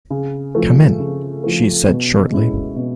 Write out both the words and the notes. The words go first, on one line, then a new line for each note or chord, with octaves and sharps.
"Come in," she said shortly.
C#3
F3 A3
C#3
F3 A3
B2
G#3 C#4 E4
B2